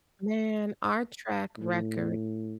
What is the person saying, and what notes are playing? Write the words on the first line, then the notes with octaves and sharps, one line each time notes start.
Man, our track record
A2